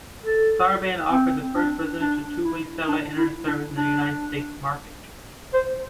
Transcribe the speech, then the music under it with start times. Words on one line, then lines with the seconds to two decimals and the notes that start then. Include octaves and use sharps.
StarBand offered the first residential two-way satellite Internet service in the United States market.
0.23 A4
1.12 C4
1.55 D4
2.01 D4
2.44 E4
2.88 D4
3.18 E4
3.47 D4
3.76 D4
5.54 C5